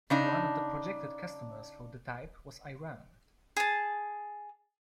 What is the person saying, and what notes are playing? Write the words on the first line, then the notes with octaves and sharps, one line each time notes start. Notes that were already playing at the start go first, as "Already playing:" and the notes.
One of the projected customers for the type was Iran.
C#3 D4 D#4
G#4 A5